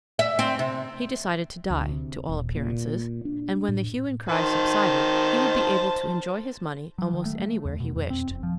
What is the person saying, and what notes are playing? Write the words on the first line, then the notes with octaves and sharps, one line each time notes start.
He decided to die, to all appearances, and when the hue and cry subsided, he would be able to enjoy his money almost anywhere he wished.
E5
C4
C3
D2
C3
D#1
A#2
D4
A2
D#3 C5 A5
F#3
D#3
A3
A3
E2
B2
F2
C4
F1
F3